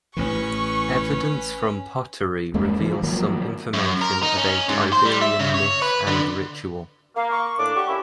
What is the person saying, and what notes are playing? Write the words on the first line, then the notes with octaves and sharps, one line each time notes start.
Evidence from pottery reveals some information about Iberian myth and ritual.
A1 E3 C#4 B4 C#6
E2 G#3 A#3 C#4
E3 F3
D#3 F3 F#3 A#3
F#2
A#4
D#4
C#4
G#2
C5
G3
E5
C#3
C#5
B4
D3
A#3 F5
C#6
A2 D4 D6
G4 D5 F#5 C#6
A#3 C#4 E4